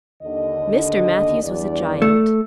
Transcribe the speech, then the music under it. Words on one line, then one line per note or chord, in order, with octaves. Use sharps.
Mr. Matthews was a giant.
D#2 D3 D#5
E2 G2 D5
A3